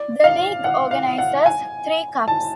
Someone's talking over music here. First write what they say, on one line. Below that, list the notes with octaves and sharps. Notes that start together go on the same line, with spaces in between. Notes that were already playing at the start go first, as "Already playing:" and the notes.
The League organises three cups.
Already playing: D5
F5
F#5
F5
F#5
G#5
A5